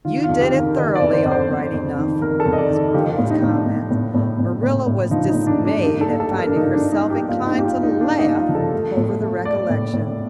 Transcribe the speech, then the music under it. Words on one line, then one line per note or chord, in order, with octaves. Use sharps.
"You did it thoroughly, all right enough," was Marilla's comment. Marilla was dismayed at finding herself inclined to laugh over the recollection.
D#3 F4
F4
F2
G4
D#3
A#4
D#3 D#5
D5
F2
C5
F2
C5
F2
F2
D#3
F2 A#4
A4
F2
D#5
D5
D#3
A4
F3 G4
F4
A2
D#4
A2
D4
A2
A2
A2
A2
A2
A2
F3 D#4
D#4
A2
D4
A3
D4
G2 D#4
A4
A#3
A4
G2
A#4
D4
F3 D#4
D4
G2
D#4
G2
G4
A#3 F4
D#4
A#3
G4
F4
A#3
D#4
A#3 D4
D#4
G2
F4
F3
A4
A3
A2
A3
A3 D5
A2
A2